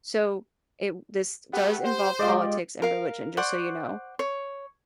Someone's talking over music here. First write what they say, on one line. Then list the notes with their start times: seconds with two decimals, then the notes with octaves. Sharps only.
so, it this does involve politics and religion, just so you know.
1.53 A3 B3 G4 F#5
1.84 C5
2.19 G#3 F4 G4 D5 D#5 D6
2.82 A#4 F5
3.37 C5 D5 F#5 C#6
4.19 C#5